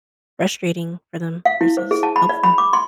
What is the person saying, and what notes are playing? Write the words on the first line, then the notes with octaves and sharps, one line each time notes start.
frustrating for them versus helpful.
F5
E4
C5
G#4
A5
B5
D5
B5
D6
C6